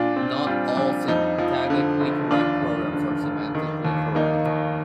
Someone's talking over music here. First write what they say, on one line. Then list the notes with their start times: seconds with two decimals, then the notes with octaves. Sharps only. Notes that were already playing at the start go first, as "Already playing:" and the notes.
Not all syntactically correct programs are semantically correct.
Already playing: A#2 D4 F4
0.16 C4
0.47 G3 D4 F4
0.77 A#1 D4
1.08 F2 D#4
1.38 F3
1.70 D3
2.00 F1
2.31 D#2 D4 F4
2.62 F1
2.93 D3
3.24 F1
3.55 D#3
3.85 D#2
4.15 A#3 D#4
4.46 D#2